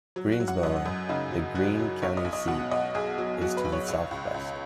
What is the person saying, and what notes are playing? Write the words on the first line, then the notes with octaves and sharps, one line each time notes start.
Greensboro, the Greene County seat, is to the southwest.
F#3
F#4
F#3
F#5
F#2 D#5
F#2
C#3 D#4
F#3
F#2 F#4
F#3
B1 C#5
D#5
B1
D#5
B2 F#5
B1 D#5
B1 G#4
F#3
F#3 F#4
B4
B1
C#5
C#2
C#2
C#2